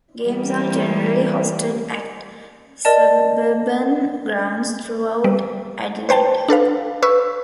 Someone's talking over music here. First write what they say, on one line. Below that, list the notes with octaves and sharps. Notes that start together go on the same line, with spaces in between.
Games are generally hosted at suburban grounds throughout Adelaide.
E3 G3 A#3
A#4 D5 D#5 A5
G3
B4 C5 G5 A5
D4 A4 B4 F5
B4 C#6 E6